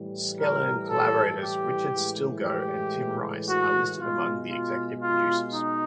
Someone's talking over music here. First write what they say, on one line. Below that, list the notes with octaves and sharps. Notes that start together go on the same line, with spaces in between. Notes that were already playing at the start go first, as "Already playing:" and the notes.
Skellern collaborators Richard Stilgoe and Tim Rice are listed among the executive producers.
Already playing: A2 E3 G3
A#4
A4
G4
A2 E3 G#3
G4
F#4
B2 G#3 F4
F4
F4
D#4